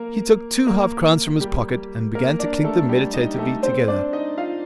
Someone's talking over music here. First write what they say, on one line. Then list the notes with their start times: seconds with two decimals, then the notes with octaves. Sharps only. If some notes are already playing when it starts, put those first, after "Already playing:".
He took two half-crowns from his pocket, and began to clink them meditatively together.
Already playing: A#3 A#4
0.67 A#3 A#4
1.40 G3 G4
2.15 A#3 A#4
2.39 D4 D5
2.64 A3 A4
2.89 G3 G4
3.14 D#4 D#5
3.34 G4
3.38 A3 A4
3.63 C4 C5
3.88 D4 D5
4.13 D#4 D#5
4.38 F4 F5